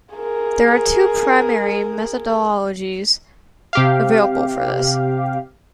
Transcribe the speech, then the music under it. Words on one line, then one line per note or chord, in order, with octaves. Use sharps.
There are two primary methodologies available for this.
G#4 A#4
C3 G4 F5